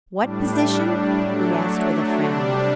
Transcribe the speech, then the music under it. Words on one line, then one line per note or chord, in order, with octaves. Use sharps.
"What position?" he asked, with a frown.
A2 G3 D4
F#3 A3 D4
C3 G3 D4